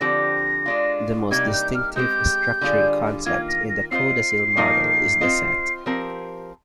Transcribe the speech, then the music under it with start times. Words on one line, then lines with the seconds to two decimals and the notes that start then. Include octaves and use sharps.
The most distinctive structuring concept in the Codasyl model is the set.
0.01 D3 F3 C4 G4 A#6
0.66 G#3 D4 F4
1.31 C3 G3 A#3 D#4 G4 G#6
1.53 G6
1.75 F6
1.96 G#3 C4 G4 G6
2.61 D3 G3 D4 F4 G#4
3.26 D#3 A#3 F4 G#6
3.48 A#6
3.70 A#6
3.91 C4 F4 C5 D#5 C7
4.57 A#2 F3 A#3 D#4 A#4
5.21 C4 F4 C5 D#5
5.86 F3 C4 G4 A#4